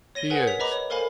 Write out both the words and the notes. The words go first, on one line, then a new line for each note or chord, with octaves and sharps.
"He is."
C#5 A#6 D#7 G7
G#4 A#4 B4 F#5 G#5
C#5 B6 F7
B4 D#5 A#5 B5 D6
C#5
A4 A#4 C5 F5 G#5 B5